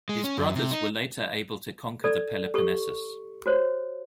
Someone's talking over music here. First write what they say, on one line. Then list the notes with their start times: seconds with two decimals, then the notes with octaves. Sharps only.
His brothers were later able to conquer the Peloponessus.
0.09 G#3
0.24 C#4
0.37 F#2
0.55 C3
0.71 D#4
2.04 A4 D5
2.54 G4 A4 C#6
3.46 F#4 C5 C#5